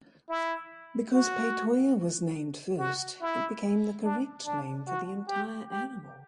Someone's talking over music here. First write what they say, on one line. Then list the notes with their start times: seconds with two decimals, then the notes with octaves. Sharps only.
Because "Peytoia" was named first, it became the correct name for the entire animal.
0.29 E4
1.13 F#4
2.79 F#4
3.22 E4
4.04 D4
4.46 D4
4.87 F#4
5.29 G4
5.71 G4